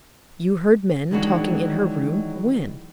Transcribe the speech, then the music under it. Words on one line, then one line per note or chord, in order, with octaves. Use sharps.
"You heard men talking in her room--when?"
D#3 E3 F#3 G#3 D4 F#4